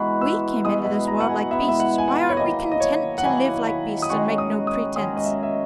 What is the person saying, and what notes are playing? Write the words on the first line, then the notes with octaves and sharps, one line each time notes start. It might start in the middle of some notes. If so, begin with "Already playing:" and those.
We came into this world like beasts--why aren't we content to live like beasts, and make no pretenses?
Already playing: E3 G#3 B3 F#4 A#5 B5
E6
B2 G#3 B3 E4 D#6
B5
A#5
F#5
G#5
B2 G#3 B3 E4 E5
E5
F#5
G#5
F#5
C#5
D#3 F#3 A#3 E4 D#5
D#5
C#5
F#5
D#3 F#3 A#3 E4 G#5
B5
D#6
D#3 G#3 C#4 F#4 C#6
D#6
D#6
D#3 G#3 C#4 F#4 D#6
D#5
E5
E5